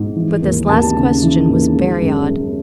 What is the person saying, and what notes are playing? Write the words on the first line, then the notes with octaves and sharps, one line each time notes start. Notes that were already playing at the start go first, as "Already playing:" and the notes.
But this last question was very odd.
Already playing: G#2
E3
D#2
D#2 A5
C#3
E3
D#2
G#3
F#2
F#2